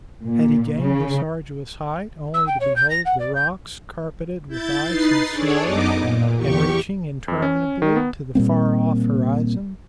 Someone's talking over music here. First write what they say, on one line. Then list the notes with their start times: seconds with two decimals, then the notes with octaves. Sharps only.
Had he gained this arduous height only to behold the rocks carpeted with ice and snow, and reaching interminably to the far-off horizon?
0.25 A#2
0.81 C#3
2.34 E6
2.47 G5
2.60 C#5
2.76 G6
2.90 A#6
3.05 F#5
3.19 D5
3.35 G6
4.48 E4 G6 A6
4.82 D#4 B4 A6 C7
5.30 D4 G#4 A4 C#5 D5
5.63 F#2 B3 D#4 D#5 D6
6.00 A#2
6.36 E2 G4 C#6
7.28 F2
7.42 C#4
7.82 D#3
7.96 B3
8.35 A#2 G3 A#3 C4